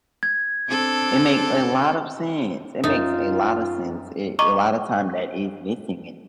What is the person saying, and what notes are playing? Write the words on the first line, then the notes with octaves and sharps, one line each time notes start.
It makes a lot of sense. It makes a lotta sense. Eh, a lotta time that is missing and
G#6
C4 D4 A4
F#2 D#4 F4 A6
D#5 A#5 C#6 D6